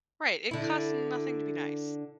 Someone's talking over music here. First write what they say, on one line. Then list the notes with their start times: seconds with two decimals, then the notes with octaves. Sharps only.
Right, it cost nothing to be nice.
0.51 D3 E4